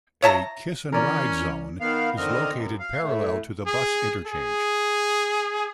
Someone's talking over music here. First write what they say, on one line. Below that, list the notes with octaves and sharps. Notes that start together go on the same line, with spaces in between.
A "Kiss-and-ride" zone is located parallel to the bus interchange.
C#5 E5 A5 A#5
E3 C#4 A#4 D5
D#3 B3 F5
D3 D#3 C4 D#5 F6
F#2
F5
A2 A3
G#4
G#4